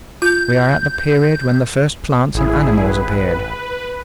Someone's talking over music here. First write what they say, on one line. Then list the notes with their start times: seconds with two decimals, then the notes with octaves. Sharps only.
"We are at the period when the first plants and animals appeared."
0.22 F4 G6
2.35 A1 E4 G#4
2.84 B4